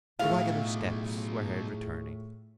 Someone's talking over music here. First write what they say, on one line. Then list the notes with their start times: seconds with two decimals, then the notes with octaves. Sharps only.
The waggoner's steps were heard returning.
0.19 B1 A2 A3 E4 F4 G#4 F5 C#6